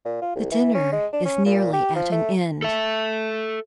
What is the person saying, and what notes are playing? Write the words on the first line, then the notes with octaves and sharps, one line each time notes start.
The dinner is nearly at an end.
A#2
F4
C2
E3
C#4
G#3
D4
C#4
A#2
G4
F3
A3
A4 E5